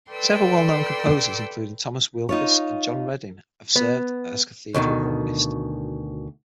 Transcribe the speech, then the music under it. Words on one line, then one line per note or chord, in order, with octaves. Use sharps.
Several well-known composers, including Thomas Weelkes and John Reading, have served as cathedral organist.
A4 B4 D5 G5 C6 E6
D#4 F4 C#5
B3
D2 B2 D3 D#3